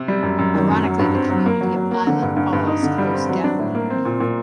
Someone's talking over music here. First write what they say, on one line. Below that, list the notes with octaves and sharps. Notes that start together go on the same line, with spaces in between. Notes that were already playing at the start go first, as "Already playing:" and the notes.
Ironically, the community of Island Falls closed down that year.
Already playing: C3
G3
F#2
F#2
D#3
F#2
F#3
G2
C4
F#3
A#3
F#3
F#3
A#3
D3
G2
G2
G2
D#4
D3
G3
C4
F#3
D4
A2
A#3
C4
A#2
A#2